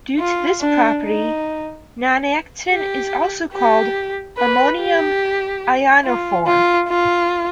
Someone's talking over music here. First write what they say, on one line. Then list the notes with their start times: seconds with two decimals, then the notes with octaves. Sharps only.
Due to this property, nonactin is also called "ammonium ionophore".
0.19 F4
0.61 D4
1.03 D#4
2.70 G4
3.54 G4
4.37 B4
4.79 G4
6.05 F4
6.47 F4
6.89 F4